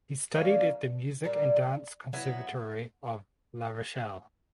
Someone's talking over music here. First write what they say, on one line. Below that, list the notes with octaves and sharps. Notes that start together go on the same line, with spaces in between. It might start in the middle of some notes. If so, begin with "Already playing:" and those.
He studied at the Music and Dance Conservatory of La Rochelle.
E3 G3 A#3 C#4
A#2 G3 A#3
F#3 B3 E4